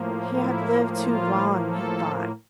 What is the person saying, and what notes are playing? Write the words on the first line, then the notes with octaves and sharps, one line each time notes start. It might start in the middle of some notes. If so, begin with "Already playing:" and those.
He had lived too long, he thought.
Already playing: A2 F3 A#3
E4
F4
A4